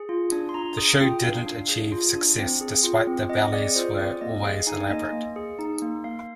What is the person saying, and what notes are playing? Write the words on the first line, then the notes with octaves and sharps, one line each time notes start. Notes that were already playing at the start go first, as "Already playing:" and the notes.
The show didn't achieve success despite the ballets were always elaborate.
Already playing: G#4
F4
D4
C6
D4 A#5
G#4 D#6
F4 G5
D4 F5
D4
G#4
F4
D4
C4
G#4
F4
C4
C4 D#5
G#4 D5
F4 C5
C4 D5
A#3 D#5
G#4 F5
D#4 G#5
A#3 D#5
A#3
G#4
D#4
A#3
A#3 F5